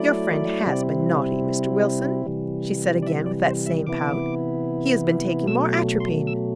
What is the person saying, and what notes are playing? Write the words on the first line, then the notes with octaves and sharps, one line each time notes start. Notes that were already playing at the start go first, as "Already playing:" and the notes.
'Your friend has been naughty, Mr. Wilson,' she said again with that same pout: 'he has been taking more atropine.'
Already playing: F#3 A3 E4 D5
C3 G3 C4 E4
C3 E3 G3
D5
E5
D5
C5
E5
C3 E3 B3 E4 D6
B2 F#3 A3 E6
D6
C6
E6